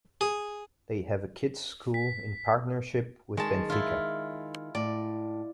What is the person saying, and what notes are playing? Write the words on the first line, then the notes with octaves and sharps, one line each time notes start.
They have a kids school in partnership with Benfica.
G#4
B6
D#3 G#3 A5
E4 F4
A2 D5